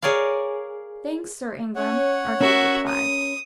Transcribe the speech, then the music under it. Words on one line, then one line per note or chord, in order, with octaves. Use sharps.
"Thanks, Sir Ingram," Archie replied.
G#4 A#4 C#5 D5 F5
C#4 C#5 F#5
C#4 F#4 A#4 E5
D#6